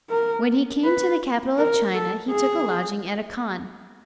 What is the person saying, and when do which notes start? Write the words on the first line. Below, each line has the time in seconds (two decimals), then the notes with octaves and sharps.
When he came to the capital of China, he took a lodging at a khan.
0.10 A#4
0.84 B4
1.58 A#4
1.94 A4
2.31 G#4